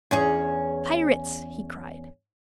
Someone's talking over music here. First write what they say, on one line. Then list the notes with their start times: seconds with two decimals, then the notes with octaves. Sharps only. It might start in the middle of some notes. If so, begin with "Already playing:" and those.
"Pirates!" he cried.
0.11 E2 C#4 G#4